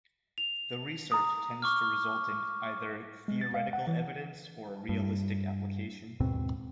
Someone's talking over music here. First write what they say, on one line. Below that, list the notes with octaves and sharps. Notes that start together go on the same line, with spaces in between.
The research tends to result in either theoretical evidence or a realistic application.
F7
A#5 D#6
C#6 D6 F6
G#3
A6
F5
F#5
E3
G2
D#2 G#2 B2 C4